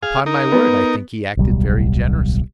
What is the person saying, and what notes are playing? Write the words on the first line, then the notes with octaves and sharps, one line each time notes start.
"Upon my word, I think he acted very generously."
G#4 F5
D#4 A#4
B3
D1 B1 G3